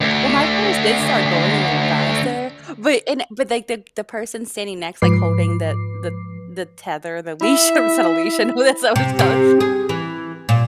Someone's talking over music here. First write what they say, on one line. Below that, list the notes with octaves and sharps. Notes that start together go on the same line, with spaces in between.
Well, my horse did start going a little faster, but and but, like, the the person standing next, like, holding the the the tether the leash, I mean it's not a leash. And who that's what it's called.
D2 D3
G#2 F3 B4 D6 C7
E4 E5
C3
C3
G#4
E3
A#2